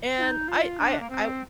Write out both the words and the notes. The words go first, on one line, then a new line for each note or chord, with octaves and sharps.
And I I I
F4
D#4
F4
D4
A#3
C4